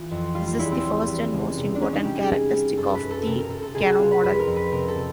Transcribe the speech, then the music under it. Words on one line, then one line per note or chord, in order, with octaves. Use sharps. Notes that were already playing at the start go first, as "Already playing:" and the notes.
This is the first and most important characteristic of the Kano model.
Already playing: E3 F4
F2
G3 F4
F4
E2 E4
C4
G3
G3
C#2
C3
D4
G3 C#4
D#4
G3 G4
G#4
G3
G3
F#2 A4
B4
F#2
A4
C3 A4 A#4
A#4
C3 A4
A4
C#2 G#4
F#4
C#2 F4
B4
F2 B4
A#4
F2
B4
C3 A#4
A4
C3